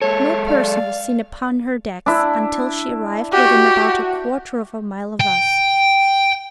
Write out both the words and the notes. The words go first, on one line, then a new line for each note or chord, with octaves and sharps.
No person was seen upon her decks until she arrived within about a quarter of a mile of us.
G#3 A4 C#5
D5 F5
D4 E4
F#4 G4
G5